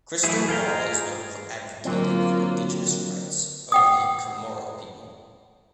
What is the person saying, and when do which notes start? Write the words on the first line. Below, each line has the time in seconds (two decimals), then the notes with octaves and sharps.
Cristobal is known for advocating for indigenous rights of the Chamorro people.
0.24 E3 F#3 A3 E4 G#4
0.49 F4 G#4 G5 A#5
1.85 D3 F#3 A#3 C4 F4
3.72 F#5 G5 D#6